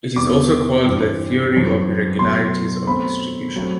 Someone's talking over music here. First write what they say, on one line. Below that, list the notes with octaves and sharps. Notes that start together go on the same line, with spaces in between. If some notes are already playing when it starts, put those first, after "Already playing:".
It is also called the "theory of irregularities of distribution".
E2 C3 G3 B3 D6
G2 E3 G3 C4
F#2 E3 G3 C4
B2 F#3 A3 C6
B2 A3 C4 B5
F#3 A3 C4